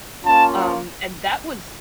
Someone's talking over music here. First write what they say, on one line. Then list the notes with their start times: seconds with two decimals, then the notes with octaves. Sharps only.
Um, and that was
0.24 A#3 C#4 F4 A5